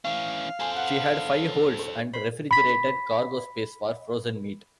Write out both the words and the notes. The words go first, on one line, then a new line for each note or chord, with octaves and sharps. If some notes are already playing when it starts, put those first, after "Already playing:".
She had five holds and refrigerated cargo space for frozen meat.
E3 C#4 F5
A4 C5 G#5 C6
B4 F#5
C#6
C5 B5
B5 B6